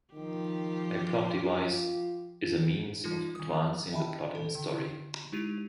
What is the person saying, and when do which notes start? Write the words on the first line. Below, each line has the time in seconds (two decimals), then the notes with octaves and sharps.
A plot device is a means of advancing the plot in a story.
0.14 D#3 F3 G4
1.50 F4
3.04 E3 G3 D#4 F4
3.35 D#3 D#6
3.92 D#5 E5 G5 A5 B5
4.35 A4
4.55 D3
5.32 G#3 D#4 E4 G4 D#7 F7